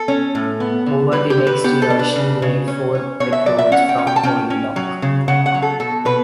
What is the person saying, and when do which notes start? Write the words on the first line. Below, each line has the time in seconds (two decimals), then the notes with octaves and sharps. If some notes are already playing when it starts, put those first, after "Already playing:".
Over the next year, she made four patrols from Holy Loch.
Already playing: A4
0.08 C#4
0.35 A2
0.60 B3
0.86 D3
1.12 G3 B4
1.30 G4
1.38 D3
1.47 B4
1.64 B3 G4
1.82 A4
1.90 D4
1.99 B4
2.16 C#3
2.42 C#3
2.68 C#4
2.95 C#4
3.20 B2 C#5
3.33 E5
3.46 F#3 D5
3.58 E5
3.71 C#4 F#5
3.89 G5
3.98 C#4
4.07 G5
4.16 A5
4.23 C#4 G5
4.50 C#4
4.76 F#3
5.02 C#3
5.28 C#3 F#5
5.46 F#5
5.54 F#3
5.62 A4
5.80 B2 A4
6.05 B2 B4